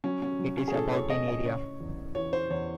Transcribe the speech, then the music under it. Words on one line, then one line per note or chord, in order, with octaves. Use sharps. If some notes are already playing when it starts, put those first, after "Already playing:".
It is about in area.
F#3 C#4
C#4
F#3
C#4
G#4
A2 A4
C#5
A2 D#5
D#5
C#3 C#5
E2
E3 C#5
C5
E2 C#5